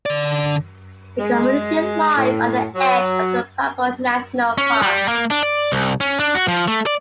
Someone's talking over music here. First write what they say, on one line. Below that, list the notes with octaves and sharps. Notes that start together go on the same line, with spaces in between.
The community lies on the edge of the Paparoa National Park.
D3 D5
G#3
A2
F#3
C#4
G3
A#3
D4
D5
C2
C#4
D4
F#4
F3
A3
D5